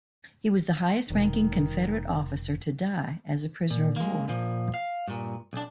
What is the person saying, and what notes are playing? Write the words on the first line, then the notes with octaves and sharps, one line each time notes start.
He was the highest ranking Confederate officer to die as a prisoner of war.
F1 B2 D#3 G3
A#2
G#3 A#3
A#2 F3
F5
G2 A#2
B1 D4